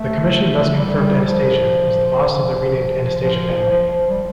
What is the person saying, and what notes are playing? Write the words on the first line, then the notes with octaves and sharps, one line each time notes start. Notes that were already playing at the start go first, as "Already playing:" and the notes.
The Commission thus confirmed Anastasia as the boss of the renamed Anastasia family.
Already playing: A3
G3
F3
F3
F3
F3
G3